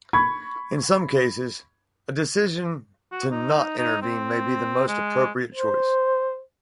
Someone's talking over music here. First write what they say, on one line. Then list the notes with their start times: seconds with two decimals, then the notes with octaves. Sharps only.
In some cases, a decision to not intervene may be the most appropriate choice.
0.13 B5 C#6 G#6
3.11 F#4
3.31 D#4
3.78 D#4
4.02 C4
4.88 G#3
5.54 C5